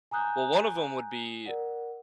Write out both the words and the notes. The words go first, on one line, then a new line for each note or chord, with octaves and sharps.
Well, one of 'em would be,
G#5 A#5 D#6 F#6 G6
A#4 D5 F#5